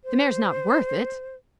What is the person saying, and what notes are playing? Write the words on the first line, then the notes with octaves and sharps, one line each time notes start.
The mare's not worth it.
C5